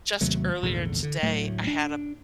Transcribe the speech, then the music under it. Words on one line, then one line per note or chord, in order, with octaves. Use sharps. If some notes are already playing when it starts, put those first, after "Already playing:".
just earlier today, I had a
D#2 C3 F#3 A3
A#1 E2 G#2 D3
D3
D2 A2 F#3 A3
D4